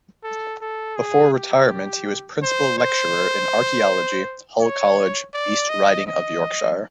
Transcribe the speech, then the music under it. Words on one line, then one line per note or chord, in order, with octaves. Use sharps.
Before retirement he was Principal Lecturer in Archaeology, Hull College, East Riding of Yorkshire.
A4
A4
G#4
G4
C5
C5
C#5
D5
D#5
D#5